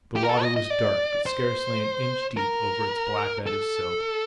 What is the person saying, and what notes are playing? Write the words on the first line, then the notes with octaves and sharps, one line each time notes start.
The water was dark but scarcely an inch deep over its black bed of silt.
G4
A#4
A4
D#5
D#5
D5
C5
A#4
A4